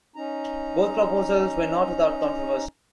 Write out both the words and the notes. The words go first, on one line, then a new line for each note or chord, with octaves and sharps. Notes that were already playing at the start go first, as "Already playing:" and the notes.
Both proposals were not without controversy.
C#4 D#4 A#5